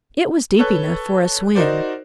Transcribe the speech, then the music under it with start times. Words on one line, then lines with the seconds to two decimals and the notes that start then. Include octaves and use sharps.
It was deep enough for a swim.
0.59 A4 B4 C#5 F#6
1.55 D#4 F#4 A#4 C5 D5